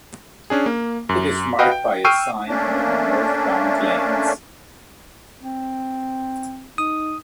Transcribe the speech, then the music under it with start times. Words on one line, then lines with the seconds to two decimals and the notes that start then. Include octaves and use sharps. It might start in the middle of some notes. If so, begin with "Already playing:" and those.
It is marked by a sign in the northbound lanes.
0.50 C#4 D4 G#4
0.66 A#3
1.09 F#2
1.59 F#4 B4 D#5 F5 G5
1.72 G5
2.05 G5 C#6 E6 F6 C7 D#7
2.48 A3 A#3 C#4 D4
5.40 C4
6.78 D#4 D#6